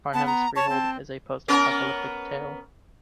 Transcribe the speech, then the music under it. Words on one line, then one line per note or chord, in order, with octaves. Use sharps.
"Farnham's Freehold" is a post-apocalyptic tale.
B3 A5
A#5
C#5 A5
C4
B3 C#4 A#4